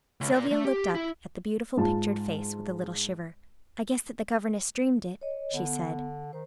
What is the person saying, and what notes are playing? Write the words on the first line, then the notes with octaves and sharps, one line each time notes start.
Sylvia looked up at the beautiful pictured face with a little shiver. "I guess that the governess dreamed it," she said.
C#2
A#4 D5
A3
G4
E4
G#2 F4 A5
C#5 D#5
D3 B3
D#3 C5